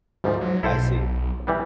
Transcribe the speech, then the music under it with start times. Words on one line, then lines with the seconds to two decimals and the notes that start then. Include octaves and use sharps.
I see.
0.24 D2 G#2 F3 G3
0.41 F#3
0.63 B1 E4 A4 C5
1.47 E3 G3 B3